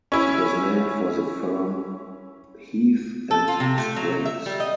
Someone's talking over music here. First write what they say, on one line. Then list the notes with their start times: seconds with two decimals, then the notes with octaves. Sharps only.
It was named for the firm Heath and Springs.
0.12 C#4 E4
3.31 A4
3.48 F4
3.60 C3
3.78 A3
3.96 F#3
4.25 E5
4.46 G3
4.60 D#5